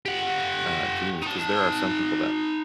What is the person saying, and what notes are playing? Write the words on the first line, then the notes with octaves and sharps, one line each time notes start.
uh, genes 'cause there are some people that
G4 F#5
D#4 A5